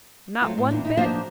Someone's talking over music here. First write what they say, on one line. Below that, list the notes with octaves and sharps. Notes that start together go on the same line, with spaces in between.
Not one bit?
F#3 A3 C4 F4
A2
E2 A#2
D#4 E4
F3 A#3 D4 F#4 C5 D#5